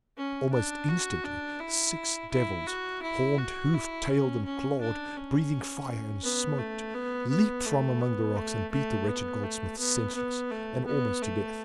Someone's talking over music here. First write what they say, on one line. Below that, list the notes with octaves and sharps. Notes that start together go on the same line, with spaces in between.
Almost instantly, six devils, horned, hoofed, tailed, and clawed, breathing fire and smoke, leaped from among the rocks and beat the wretched goldsmith senseless, and almost to death.
C#4
D4
F#4
D4
E4
E4
F#4
E4
F#4
E4
C#4
C#4
D4
C#4
B3
A3
B3
B3
A3
B3
A3
A3
B3
A3
B3
B3
A3
B3
A3